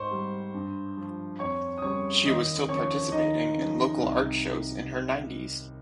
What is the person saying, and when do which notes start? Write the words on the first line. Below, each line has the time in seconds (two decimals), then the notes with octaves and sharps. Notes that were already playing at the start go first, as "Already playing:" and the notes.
She was still participating in local art shows in her nineties.
Already playing: G#2 C5 C6 C#6
0.11 G3
0.54 G2
0.97 F3
1.39 F2 C#5 C#6
1.77 D#6
1.82 C#3 G3 C#5 C#6
2.25 D#2 D#5 D#6
2.68 C#3 F3 C#5 C#6
3.12 D#2 D#4 D#5
3.54 C#3 F3
3.98 C2